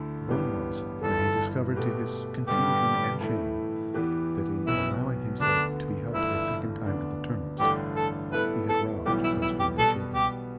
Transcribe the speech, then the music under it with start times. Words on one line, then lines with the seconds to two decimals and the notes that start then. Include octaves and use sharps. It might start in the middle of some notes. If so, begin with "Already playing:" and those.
One was, that he discovered, to his confusion and shame, that in allowing himself to be helped a second time to the turnips, he had robbed those hungry children.
Already playing: D2 D3 A3 E4 A4
0.28 A1 G2 E3 B3 G4
1.01 G1 G2 E3 A4
1.75 B2 A3 G4 B4
2.47 G2 D3 G3 B3 G4
3.21 A2 E3 A3 E4
3.94 E2 E3 B3 G4 B4
4.67 B1 B2 B3 E4
5.39 D2 D3 B3 D4
6.13 G1 G2 E3 A3 E4
6.86 D2 D3 B3 D4
7.59 A1 G2 D3 A3 G4
7.96 A4
8.32 A2 G3 B3 E4 A4 B4
8.69 A4
9.05 B1 A2 E3 G3 B3 G4
9.24 E4
9.42 E4
9.60 G4
9.78 B2 G3 B3 A4
10.15 G4